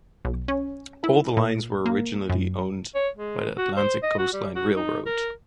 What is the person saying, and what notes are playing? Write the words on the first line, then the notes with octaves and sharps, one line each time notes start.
All the lines were originally owned by the Atlantic Coast Line Railroad.
B1
C#4
E4
A#2
A#3
F#2
C#5
G#3
F#4
C5
D#5
F#4
G3
F#4
D#4
A#4